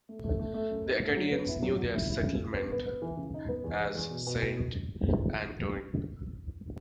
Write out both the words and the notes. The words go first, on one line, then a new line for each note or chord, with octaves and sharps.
The Acadians knew their settlement as Saint Antoine.
A3
A3
A3
A3
F#2
D#4
A3
F#3
B3
E4
F#3
F#3
E4
E4
C#3
C#3
B3
B3
B3
E3
C#3
D#4
B3
E2
G#3
E2
B2
B2
B2